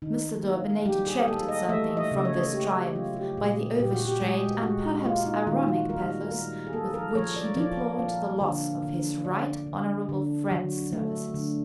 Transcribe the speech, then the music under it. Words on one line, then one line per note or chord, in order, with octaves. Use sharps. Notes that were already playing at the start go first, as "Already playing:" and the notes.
Mr. Daubeny detracted something from this triumph by the overstrained and perhaps ironic pathos with which he deplored the loss of his right honourable friend's services.
D#3 D#4
A#3
G3 G4
G#4
A#3 A4
D#5
A3 E5
D#5
C#3
C#5
A3 G4
F#3 F4
G4
A#2 G#4
A#2 G4
F#4
G4
G#3 G#4
G#3 F#4
A#3 F4
D#4
D#3 F4
F4
F#4
G3 A#4
A#3 A#4
G#4
A#3 A4
A#4
F3 C#5
D5
F3 D5
A#3
D3
D3
D3 D5
D3
D3
F#3
A3
D3